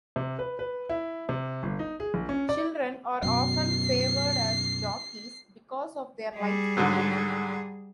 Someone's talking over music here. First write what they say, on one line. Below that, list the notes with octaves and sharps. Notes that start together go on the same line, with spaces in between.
Children are often favored as jockeys because of their light weight.
C3
B4
B4
E4
C3
G1
D#4
G#4
A#1
C#4
D5
F#2 B2 C7
G3 G#4
G#2 D3 F#3